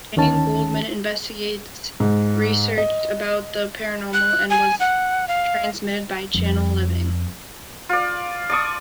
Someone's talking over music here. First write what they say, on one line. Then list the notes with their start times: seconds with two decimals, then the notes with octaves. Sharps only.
"Jane Goldman Investigates" researched about the paranormal and was transmitted by channel Living.
0.16 D2 D#3 C#4 A5
2.00 G#2
2.78 D#5
4.14 F#6
4.50 G#5
4.80 F#5
5.28 F5
6.35 F2
7.89 F4 D5
8.50 D5 A5 C#6 D#6